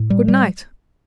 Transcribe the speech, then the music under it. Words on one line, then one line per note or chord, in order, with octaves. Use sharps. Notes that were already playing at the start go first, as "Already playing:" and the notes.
Good night!
Already playing: A2
G3
G3